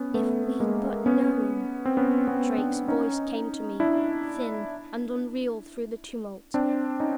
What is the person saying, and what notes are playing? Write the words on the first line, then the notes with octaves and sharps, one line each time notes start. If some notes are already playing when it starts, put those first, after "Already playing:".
"If we'd but known!" Drake's voice came to me, thin and unreal through the tumult.
Already playing: B3 C#4
A3 B3
G#3 A#3
B3 C#4
C4
B3 C#4
B3 C#4
C4 D4
C#4 D#4
D4 E4
C4 D4
C#4 D#4